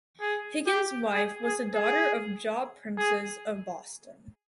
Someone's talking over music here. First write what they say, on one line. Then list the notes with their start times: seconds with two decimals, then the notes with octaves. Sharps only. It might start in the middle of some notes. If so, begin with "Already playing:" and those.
Higgins wife was the daughter of Job Princes of Boston.
0.21 G#4
0.67 G4
1.13 G#4
1.44 G#4
1.75 G#4
2.98 G#4